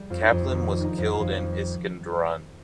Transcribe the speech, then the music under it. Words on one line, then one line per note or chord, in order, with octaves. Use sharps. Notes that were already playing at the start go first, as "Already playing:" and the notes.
Kaplan was killed in Iskenderun.
Already playing: G3
F2 F4
D#4
F2 F4
D#3 D#4
G3
D#4
F2
F4
F2